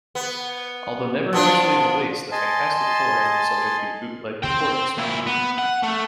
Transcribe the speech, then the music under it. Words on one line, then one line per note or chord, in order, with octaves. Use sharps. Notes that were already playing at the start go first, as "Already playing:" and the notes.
Although never officially released, "The Fantastic Four" has been subject to bootleg recordings.
B3
F3 B3 D4
D#5 G#5 A5 C6
C5 G5
A#2 E4
B3
F#5
A3